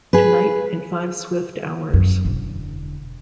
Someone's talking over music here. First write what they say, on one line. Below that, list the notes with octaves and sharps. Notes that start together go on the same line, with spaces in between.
Tonight, in five swift hours.
G#4 B4
G1 F#2
E1 D3